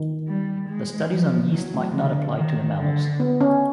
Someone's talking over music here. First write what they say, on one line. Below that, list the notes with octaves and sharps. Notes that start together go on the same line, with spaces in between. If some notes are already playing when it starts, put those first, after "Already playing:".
The studies on yeast might not apply to the mammals.
Already playing: D#3
G3
G#3
F3
E3 F#3
A3
D3
D#3
D3
B3
C#4